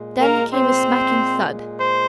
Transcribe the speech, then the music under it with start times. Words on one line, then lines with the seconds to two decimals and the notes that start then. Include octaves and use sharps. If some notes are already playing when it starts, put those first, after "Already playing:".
Then came a smacking thud.
Already playing: A#2 G#3
0.21 A#3 A#4
0.52 C4 C5
1.77 C5